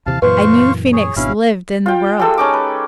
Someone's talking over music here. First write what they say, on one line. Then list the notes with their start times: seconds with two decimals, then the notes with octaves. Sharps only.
A new Phoenix lived in the world.
0.06 D#2 C3 E3 F5 A5
0.22 F#2 A#2 E3 B4 C5 F5 C#6
0.93 G#4 C#5
1.16 G#1 B2 C#4 D4 E4 F5
1.86 F4 G5
2.19 G#3 G4 A4 E6
2.37 C#4 D#4 D6
2.53 B4